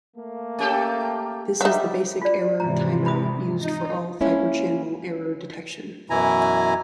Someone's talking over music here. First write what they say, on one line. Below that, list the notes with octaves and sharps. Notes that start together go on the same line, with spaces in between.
This is the basic error timeout used for all Fibre Channel error detection.
A3 A#3
C#4 G4 A4
F#3 G3 D#4 E5
F4 D5
G#2 C3 E3 A#5
B5 D#6
D#4
G#3 A#3 C#4 E4
F#2 B2 E3 E4 G#5 A#5